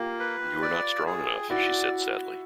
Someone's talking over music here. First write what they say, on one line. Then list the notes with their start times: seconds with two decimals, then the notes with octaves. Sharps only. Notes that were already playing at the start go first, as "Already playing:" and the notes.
"You are not strong enough," she said sadly.
Already playing: A#3 F4 G4
0.20 B4
0.62 D5
1.06 G#4
1.50 E4 F#4 D5